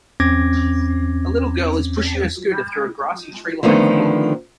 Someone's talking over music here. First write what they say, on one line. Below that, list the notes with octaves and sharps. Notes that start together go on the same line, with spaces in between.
A little girl is pushing her scooter through a grassy tree lined field.
E2 C4 C#4 D6 G#6 A#6
D3 D#3 F3 A3 B3 C4